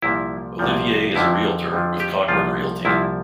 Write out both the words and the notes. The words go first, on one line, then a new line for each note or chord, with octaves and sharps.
Olivier is a Realtor with Cogburn Realty.
C2 A#2 F3 E4
C2 A#2 F3
F2 D3 F3 E4
F2 D3 F3
G4
C2 A#2 F3 F4
C2 A#2 F3 E4